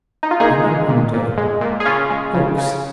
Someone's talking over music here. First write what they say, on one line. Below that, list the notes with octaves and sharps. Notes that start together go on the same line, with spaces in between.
Then I wonder--hooks?
D#4
F4
A#2 D#4 G#4
G#3
A#2
A#2
G#3
A#2
G#4
C#3 C#4 F4
G#3
C#3
C#3